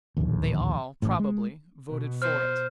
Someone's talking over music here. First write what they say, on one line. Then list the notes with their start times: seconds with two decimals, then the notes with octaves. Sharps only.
They all, probably, voted for it.
0.17 D1 A#1 D#2
1.02 A1 A2
1.19 G#3
1.89 B2
2.22 C5 F6